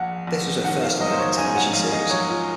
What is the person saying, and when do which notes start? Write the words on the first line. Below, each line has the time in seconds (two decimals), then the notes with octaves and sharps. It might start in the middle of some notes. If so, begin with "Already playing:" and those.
This was her first American television series.
Already playing: A#1 F#5
0.27 A#1
0.64 D#3 F#5
0.83 F5
1.00 F#3 D#5
1.12 C5
1.19 C#5
1.38 G#2 G#5
1.56 F#5
1.73 A#1 F5
1.92 D#5
2.09 F#3 C#5
2.29 F4